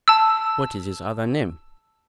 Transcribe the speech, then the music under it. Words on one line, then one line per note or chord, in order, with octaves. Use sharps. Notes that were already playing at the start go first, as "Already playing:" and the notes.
"What is his other name?"
A5 E6